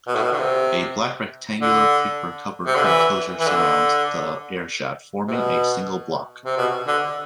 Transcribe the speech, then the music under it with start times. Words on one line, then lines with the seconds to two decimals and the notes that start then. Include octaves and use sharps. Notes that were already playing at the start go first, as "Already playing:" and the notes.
A black rectangular creeper-covered enclosure surrounds the air shaft, forming a single block.
0.07 B2
0.15 A2
0.22 B2
0.32 D3
0.39 C3
1.61 D3
2.66 C3
2.75 D3
2.85 E3
3.40 E3
3.47 D3
5.28 C3
5.33 B2
6.46 C3
6.57 B2
6.88 D3